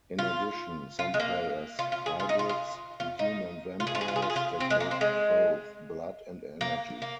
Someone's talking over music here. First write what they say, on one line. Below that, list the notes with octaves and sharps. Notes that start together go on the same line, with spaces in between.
In addition, some play as hybrids, human vampires that take both blood and energy.
F4
F4
G#3
A#3
F4
F4
G#4
F4
D#4
F4
F4
F4
D#4
F4
G#4
F4
G#4
F4
G#4
F4
G#4
F4
C4
G#3
A#3
C4
G#3
A#3
A#3